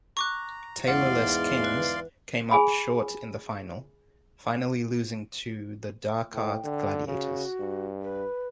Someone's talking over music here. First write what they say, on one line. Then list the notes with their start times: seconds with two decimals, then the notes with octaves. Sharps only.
Taylor-less Kings came up short in the final, finally losing to the Dhaka Gladiators.
0.17 A#5 C#6 D6 F#6
0.87 E2 G#2 E3 D5 F5 F#5 C6
1.64 B4
2.51 G#4 G#5 B5
6.33 A2 G5
6.64 D3
7.07 C#3 F#4
7.60 G2
8.02 B4